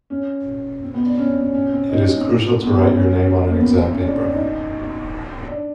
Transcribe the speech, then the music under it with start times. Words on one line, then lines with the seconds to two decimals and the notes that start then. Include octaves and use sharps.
It is crucial to write your name on an exam paper!.
0.10 C#4
0.82 C4
0.94 B3
1.06 D4
1.18 C#4
1.29 C4
1.41 C#4
1.54 C#4
1.71 C4
1.89 D#4
2.07 C#4
2.17 C4
2.62 B3
2.74 C4
2.85 C#4
2.97 C#4
3.48 A#3
3.58 B3
3.69 C4
3.81 C4
3.93 C#4
4.05 D4
4.21 D4
4.32 D#4
5.48 D4